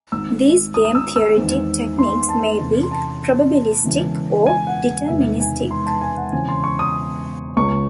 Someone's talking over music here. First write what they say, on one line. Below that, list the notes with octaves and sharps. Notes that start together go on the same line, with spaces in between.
These game-theoretic techniques may be probabilistic or deterministic.
G#1 G#2 D#3 E6
D#6
D#6
E6
E6
E2 D#3 G#3 C4
C6
A5
E2 C3 E3 A3 C#4
C6
A5
E1 E2 C#3 E3
G#5
F#5
E1 E2 C3 D#3 G#3 E5
G#5
C6
A5
G#5
F#5
E1 E2 C#3 E3 C4 G#5
C6
C#6
D#6
C#2 C#3 G#3 C#4 C#6